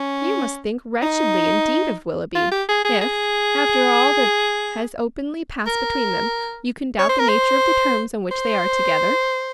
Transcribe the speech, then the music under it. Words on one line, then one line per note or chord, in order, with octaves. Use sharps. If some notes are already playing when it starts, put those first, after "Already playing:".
You must think wretchedly indeed of Willoughby, if, after all that has openly passed between them, you can doubt the nature of the terms on which they are together.
Already playing: C#4
D#4
F4
G4
G#4
G#4
G#4
A#4
C#5
C5
A#4
C5
C5